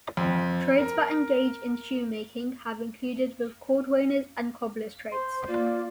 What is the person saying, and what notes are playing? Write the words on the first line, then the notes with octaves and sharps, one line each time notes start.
Trades that engage in shoemaking have included the cordwainer's and cobbler's trades.
F2
A#4
C5 C6
A#3 F4 D5